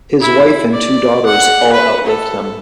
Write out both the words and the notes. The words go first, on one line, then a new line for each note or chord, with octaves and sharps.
His wife and two daughters all outlived him.
E4
D5
F#5
B4
A4